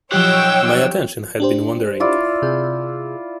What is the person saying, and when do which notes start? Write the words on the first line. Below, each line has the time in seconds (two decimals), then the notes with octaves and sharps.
My attention had been wandering.
0.12 F3 F#3 D#4 G4 C#5 F#5 G5 E6
1.40 D4 G4 C5
2.00 E4 F4 D5
2.42 C3 G#4